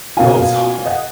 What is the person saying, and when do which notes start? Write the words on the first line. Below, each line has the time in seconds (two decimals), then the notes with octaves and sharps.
Oh, it's harder.
0.17 B2 A#3 C#4 F4 F5 G#5
0.86 D#5 F#5